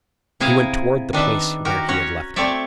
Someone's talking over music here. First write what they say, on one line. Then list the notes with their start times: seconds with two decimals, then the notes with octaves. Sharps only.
He went toward the place where he had left him.
0.40 C3 E4 G#4 E5 F5 A#5
1.13 D#3 D4 B4 E5
1.65 F#4 G4 A#4
1.88 C#4 C#5 F#5
2.36 A3 C4 C#5 D5 E5